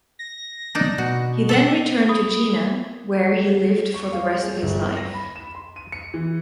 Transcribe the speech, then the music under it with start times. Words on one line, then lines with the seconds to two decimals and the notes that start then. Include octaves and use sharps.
He then returned to Jena where he lived for the rest of his life.
0.19 A#6
0.75 D4 D#4
0.98 B2 F#4
1.49 A4 E5 F#5
2.09 B5 D#6
3.94 C#6
4.12 F5
4.41 G#4
4.63 G1
4.81 E4
4.97 A#6
5.14 B5
5.36 E7
5.55 C6
5.76 D#7
5.92 C#7
6.14 E3